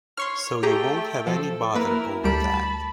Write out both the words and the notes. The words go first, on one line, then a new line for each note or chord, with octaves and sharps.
So you won’t have any bother over that.
C#5 C6 C#6 F6
A3 G4 G#4 G5 A#5
F3 A4
A#3 E4 A#4 B4
D2 G3 A5 B5 D7